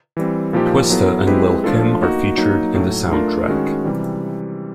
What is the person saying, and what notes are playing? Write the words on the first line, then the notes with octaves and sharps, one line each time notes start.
Twista and Lil' Kim are featured in the soundtrack.
E3 G3 C4
A#2 F3 A#3 D#4 G4
F#3 B3 E4 A4
G#3 C4 E4 G4 B4
F3 A3 D4 F4 A4
A#3 D#4 F#4
F#3 A#3 D#4
A2 F#3 A3
A3 D4 F4 A#4
D#3 G#3 C#4 F#4
C3 E3 G3